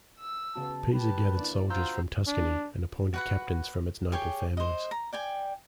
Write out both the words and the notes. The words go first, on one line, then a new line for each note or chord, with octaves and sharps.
Pisa gathered soldiers from Tuscany and appointed captains from its noble families.
E6
C#3 B3 F#4 A5
G4 B4 A5
A#3 D4 E4 D5
F4 F#4 C5 A#5 E6 G6
D4
F#4 B4 F#5
G4 G#4 C#5 G5
C5 D#5
A#5
D5 G5 G#5